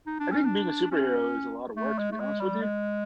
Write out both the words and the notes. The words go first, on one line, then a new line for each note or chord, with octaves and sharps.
I think being a superhero is a lotta work, to be honest with you.
D#4
D4
C#4
D4
C#4
A3
G#3
A3
G#3
G3
G#3